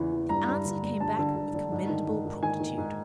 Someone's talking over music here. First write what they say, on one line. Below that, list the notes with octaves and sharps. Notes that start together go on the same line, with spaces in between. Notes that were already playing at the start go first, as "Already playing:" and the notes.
The answer came back with commendable promptitude.
Already playing: E2 C#3 E3
E3
G2 A#5
G2
D3
G2
G2 A5
D3
D3
D3
G#2
D#3
G#2
G#2
D#3 G#5
D#3
G#2